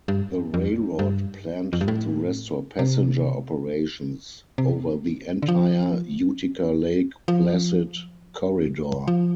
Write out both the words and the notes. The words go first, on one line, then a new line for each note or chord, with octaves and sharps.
The railroad planned to restore passenger operations over the entire Utica-Lake Placid corridor.
G2
F2
G2
F2
G2
A2
C3
C3
D3
F3
F3
F3